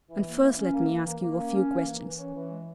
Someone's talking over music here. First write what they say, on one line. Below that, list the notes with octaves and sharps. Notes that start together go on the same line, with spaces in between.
And first let me ask you a few questions.
E3
A#3
E3
C#4
A#3
E3
A#3
A#3
C#4
C#4
A#3
E3
E3
C#4
E3
G#3